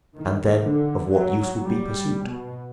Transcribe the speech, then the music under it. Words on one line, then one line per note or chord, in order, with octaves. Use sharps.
And then of what use would be pursuit?
D#3
D3
F#3
G3
B2